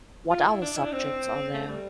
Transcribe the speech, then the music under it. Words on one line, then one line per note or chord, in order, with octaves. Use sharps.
What other subjects are there?
F4
E4
D4
E4
D4
C4
A3
G3